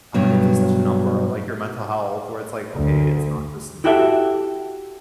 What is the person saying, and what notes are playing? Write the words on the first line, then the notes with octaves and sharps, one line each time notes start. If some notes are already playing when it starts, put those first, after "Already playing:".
I don't it does such a number on, like, your mental health where it's like, "Okay, it's not just me. It's
G2 B2 F#3
D2 D3
E4 F#4 G4 A4 E5